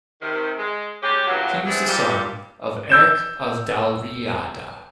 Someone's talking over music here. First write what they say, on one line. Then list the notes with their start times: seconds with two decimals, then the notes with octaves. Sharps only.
He was the son of Erc of Dalriada.
0.22 C3 D#3
0.58 G#3
1.02 G3 G#3 C#4 G4
1.27 E2 G2 A#2 C#3 F#3
1.66 G3 B3 C4 D4 E4 G#4
1.86 G2 A#2 G3
2.90 E6 G6 E7